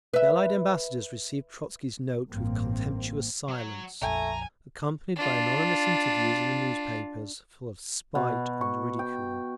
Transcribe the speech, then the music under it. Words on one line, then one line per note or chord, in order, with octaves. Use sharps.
The Allied Ambassadors received Trotzky's note with contemptuous silence, accompanied by anonymous interviews in the newspapers, full of spite and ridicule.
B4 E5
A1 G2 A#3 C4
F#3 C#5
A#1 F2 A3 G#5 A#5
D4 F4
B2
C#6
G5